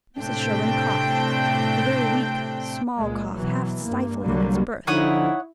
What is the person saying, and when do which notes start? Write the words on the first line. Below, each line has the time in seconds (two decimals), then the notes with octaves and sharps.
Mrs. Sherwin coughed--a very weak, small cough, half-stifled in its birth.
0.19 A2 C3 A3 C4 D4 G5
2.97 C#2 A#2 G#3
3.34 B2 E3 F#3
3.84 G2 A#3
4.23 C2 D3 F#3 G3 A#3
4.87 D3 F3 D#4 E4 C#5 F#5 D#6